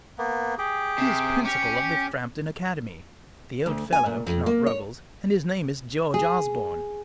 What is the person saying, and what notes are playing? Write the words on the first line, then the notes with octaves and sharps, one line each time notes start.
He is principal of the Frampton Academy--the Old Fellow, not Ruggles--and his name is George Osborne.
A#3 B3
G4 G#4
C3
C#4 G4
D2
G#5
A#2
F2
A#3
C#5
G#4